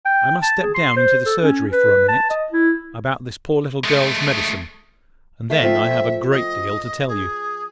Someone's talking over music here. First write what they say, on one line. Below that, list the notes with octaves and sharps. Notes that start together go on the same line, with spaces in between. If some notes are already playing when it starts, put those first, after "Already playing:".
"I must step down into the surgery for a minute, about this poor little girl's medicine; and then I have a great deal to tell you."
G5
A5
G#4
C6
C5
A4
C#4
B4
A5
D#5
E4
G#3 A3
A3 E5 F5
F3 C4
D#5
G#4